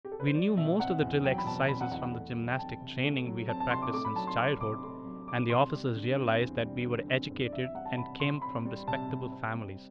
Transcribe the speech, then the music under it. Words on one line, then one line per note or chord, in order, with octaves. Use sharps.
We knew most of the drill-exercises from the gymnastic training we had practiced since childhood, and the officers realized that we were educated and came from respectable families.
G4
A4
B4
C5
F#3 D5
B2 E5
C4 F#5
E2
F#3 G5
B5
B2 A5
C4 B5
F#5
E2 F#5
F#5
A3
F#3
G5
C4 A5
C3
A3
F#3
C4 A5
A5
C3 C6
D6
A3 D6
B5
F#3 A5
C6
C4 D6
C3 D6
A3 C6
F#3
C4 D6
C3 C6
G3
D3
C4
E2
G3
D3
C4
E2
D5
C4 E5
E5
G3 F#5
A5
C3 B5
C3 C6
C4 B5
G3
C3 A5
C3
C4
G3